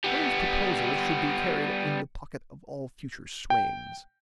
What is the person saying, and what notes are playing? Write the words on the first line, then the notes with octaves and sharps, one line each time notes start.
Bernard's proposal should be carried in the pocket of all future swains.
G3 B3
G5